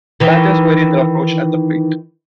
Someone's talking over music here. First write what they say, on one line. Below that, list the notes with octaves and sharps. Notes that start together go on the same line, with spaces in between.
Batters vary in their approach at the plate.
D#3 E3